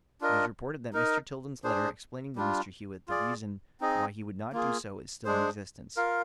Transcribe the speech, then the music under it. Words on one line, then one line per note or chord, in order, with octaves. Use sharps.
It is reported that Mr. Tilden's letter explaining to Mr. Hewitt the reason why he would not do so is still in existence.
D4 F4 A#4 D#5
D#4 A#4 D#5
D4 G#4 C5
G3 D4 F4
F4 G#4 D5
C4 D#4 G#4 D#5
A#3 F4 G#4
G#3 D4 G#4 C5
F4 A#4 F5